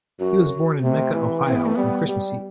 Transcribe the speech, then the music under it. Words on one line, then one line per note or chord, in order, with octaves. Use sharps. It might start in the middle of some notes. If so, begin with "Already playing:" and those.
He was born in Mecca, Ohio, on Christmas Eve.
F#2 F#4
C3 A3
E3
E3 C4
B3
A3
G3 B3
G3